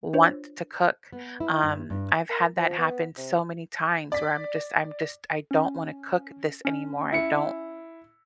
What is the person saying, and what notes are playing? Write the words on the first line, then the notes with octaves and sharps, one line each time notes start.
want t to cook, um, I've had that happen so many times where I'm just I'm just I don't wanna cook this anymore, I don't
D4 F4 C5 C#5
B3
E4
G2
G2
A#4
F3
B3
C3
D5 B6
C#4
C#4
E4 C#7